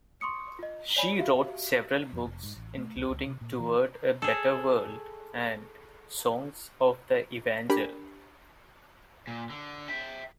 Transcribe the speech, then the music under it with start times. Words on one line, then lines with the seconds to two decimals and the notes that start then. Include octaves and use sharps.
She wrote several books, including "Toward a Better World" and "Songs of the Evangel".
0.21 C6 C#6 D#6 C#7
0.59 F4 D#5
0.96 C#5 D5 G#5 B5
1.16 F#4 G4 E5 F5
2.13 F2
2.25 F1
2.43 G#2
2.56 A1
2.78 A3
2.96 C#2
3.10 C#2
3.26 C3
3.41 A#2
3.60 E3
4.22 G#4 A4
7.69 D4 G4 A#4 G#5 B5
9.27 A#2
9.50 D3
9.88 E5 G5